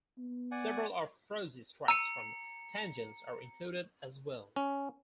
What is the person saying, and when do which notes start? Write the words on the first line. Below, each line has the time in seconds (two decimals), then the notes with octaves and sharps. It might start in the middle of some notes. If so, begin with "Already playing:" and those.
Several of Froese's tracks from "Tangents" are included as well.
0.18 B3
0.51 D5 F#5 G#5
1.88 A#5 E6 C#7 D#7
4.56 C#4